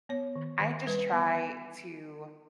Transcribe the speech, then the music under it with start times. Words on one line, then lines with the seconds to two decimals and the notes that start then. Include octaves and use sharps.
I just try to
0.09 B3 C#5
0.36 D#3
0.61 D#3
0.87 G3 B4
1.12 B3